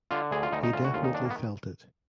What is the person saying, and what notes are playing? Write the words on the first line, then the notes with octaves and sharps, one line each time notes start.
He definitely felt it.
D3 F4
D2 G#4
F4
D2 D#4
D#4
D2 F4
F#4
D#2 F4
D#4
D#3 D4
A#3
B3